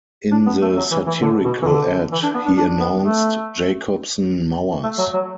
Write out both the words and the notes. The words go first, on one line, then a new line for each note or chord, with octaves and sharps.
In the satirical ad, he announced: Jacobsen Mowers.
D4
B3
A3
F#3
E3
E3
D3
B2
E3
D3
E3
D4
B3
D4
D4
B3
A3
A3
F#3
F#3